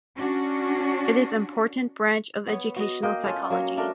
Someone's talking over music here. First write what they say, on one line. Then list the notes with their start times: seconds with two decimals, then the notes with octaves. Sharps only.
It is important branch of educational psychology.
0.16 C#4 D4 F#4
2.48 B3 C#5
2.76 F#4 D#5
3.03 A#3 D#5 G5
3.24 C#4 F4 A4
3.50 F#3 A#3 C#5
3.77 A3 D4 A#4